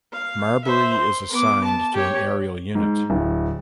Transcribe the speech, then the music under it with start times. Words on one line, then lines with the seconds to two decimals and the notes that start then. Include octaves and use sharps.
Marbury is assigned to an aerial unit.
0.13 F5
0.64 C5 E5
0.97 C6
1.29 B3 D6
1.64 A5
1.93 G4 C#5
2.75 G#2
3.10 D1